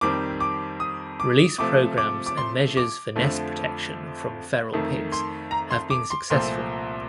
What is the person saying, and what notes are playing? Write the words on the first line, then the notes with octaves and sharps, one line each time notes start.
Release programs and measures for nest protection from feral pigs have been successful.
F2 D#3 G3 C4 D6
D6
D#6
D6
C3 F3 A3 D6
D6
D6
C6
D6
F2 D3 F3 A3
F2 D#3 A3
C6
A#5
C6
D6
C6
C2 A#2 F3 A3 C4 C6